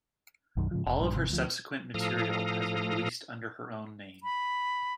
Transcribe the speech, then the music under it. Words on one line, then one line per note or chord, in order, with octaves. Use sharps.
All of her subsequent material has been released under her own name.
B1 F#2 D#3
G#2 C#3 F3
F1
A#1 G2
G#1 C3 F3
D2 F3
A2 F3 A4 F5 A#5 D#6
B5